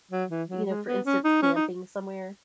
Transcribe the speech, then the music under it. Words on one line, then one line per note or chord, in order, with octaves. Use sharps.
you know, for instance, camping somewhere?
F#3
E3
F#3
G#3
B3
C#4
D#4
C#4
D#4